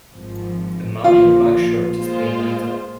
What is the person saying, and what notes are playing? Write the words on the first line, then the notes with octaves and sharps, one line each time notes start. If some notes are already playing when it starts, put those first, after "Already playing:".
A man in a black shirt is playing guitar.
G#1 G#2 F3
A#1 A#2 F3 F4
A#2 G#3 F4 C5